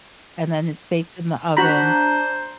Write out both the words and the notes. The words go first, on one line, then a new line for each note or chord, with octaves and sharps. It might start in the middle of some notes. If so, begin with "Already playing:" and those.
And then it's baked in the oven,
D4 F#4 C5 A#5 B5